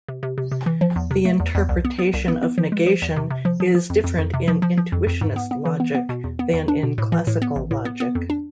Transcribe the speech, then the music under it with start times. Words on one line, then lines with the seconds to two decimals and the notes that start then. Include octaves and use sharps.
The interpretation of negation is different in intuitionist logic than in classical logic.
0.08 C3
0.23 C3
0.38 C3
0.52 C3
0.66 E3
0.81 F3
0.96 E2
1.11 C3
1.25 A3
1.40 E2
1.55 E2
1.69 C2
1.85 B3
1.99 B3
2.14 C2
2.28 B3
2.43 B3
2.58 F3
2.72 G#3
2.86 F3
3.02 E2
3.16 C3
3.31 C3
3.45 F3
3.60 F3
3.75 F3
3.90 F2
4.04 F2
4.18 F2
4.34 C3
4.48 F3
4.62 F3
4.78 F3
4.92 F2
5.07 F2
5.21 G#2
5.36 B3
5.51 B3
5.65 E3
5.80 B3
5.95 B3
6.09 B2
6.24 E2
6.39 B3
6.53 E2
6.68 D4
6.83 B2
6.98 A2
7.12 E3
7.27 A2
7.42 B3
7.56 A1
7.71 A2
7.85 B3
8.00 B3
8.15 F2
8.30 D4